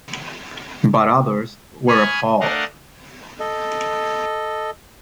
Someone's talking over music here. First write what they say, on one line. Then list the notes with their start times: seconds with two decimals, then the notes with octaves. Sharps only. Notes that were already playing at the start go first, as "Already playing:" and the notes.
But others were appalled.
1.88 G#5 B5 C#6 D#6 F6 G#6
2.41 A3 D4 A#4 D#5 F5 F#5
3.40 A4 D#5